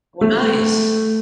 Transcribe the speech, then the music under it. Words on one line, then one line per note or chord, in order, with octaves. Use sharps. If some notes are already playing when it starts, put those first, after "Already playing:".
Oh, nice.
A3